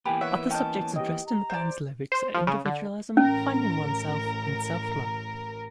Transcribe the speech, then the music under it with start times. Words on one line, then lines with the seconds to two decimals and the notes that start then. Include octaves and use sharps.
Other subjects addressed in the band's lyrics are individualism, finding oneself and self-love.
0.06 E3 A#3 B3 G4 G#5 B5
0.21 B4 C#5 E5 F#5
0.51 C#4 D#5 G5 A5 G6
0.96 G4 D#5 G5
1.27 A#5
1.50 C5 D5
2.12 C5
2.34 F3
2.47 C#3
2.65 D3
3.17 A1 C#4 A#4